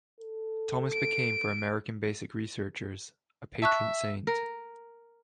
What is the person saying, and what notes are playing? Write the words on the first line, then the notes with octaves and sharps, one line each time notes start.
Thomas became for American basic researchers a patron saint.
A4
D7
E5 A5 C#6 F#6
A#4